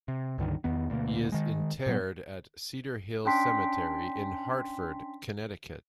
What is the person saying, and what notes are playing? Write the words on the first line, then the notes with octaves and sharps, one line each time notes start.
He is interred at Cedar Hill Cemetery in Hartford, Connecticut.
C3
C#2 G2 D3 D#3
E2 D#3 B3
D2 B2 A#3
D#3 G#3
A#2 F#3 B3
C#4 D4 G5 C6 B6